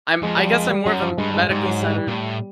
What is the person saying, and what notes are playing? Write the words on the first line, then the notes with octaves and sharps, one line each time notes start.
I'm I guess I'm more of a medically centered
F2 G#3
G3
G#3
G3
F#2 F#3
F3
G2 G#3
G#3
G#2 G3
F#3
G3
G3
A#2
A2